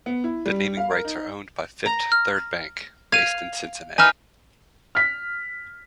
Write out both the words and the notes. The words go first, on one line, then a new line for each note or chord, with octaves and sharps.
The naming rights are owned by Fifth Third Bank, based in Cincinnati.
B3
E4
G3
F5
A#4
D#4
A#5
F6
F5 G#6 D#7
D#4 B4 E5 G#5 F6
F6 B6